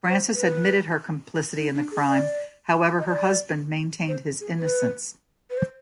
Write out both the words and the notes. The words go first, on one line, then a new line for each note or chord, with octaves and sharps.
Frances admitted her complicity in the crime; however, her husband maintained his innocence.
C5
B4
D#4
D4
G#4
D5
D#5
D5
C5
G#4
B4
B4
C5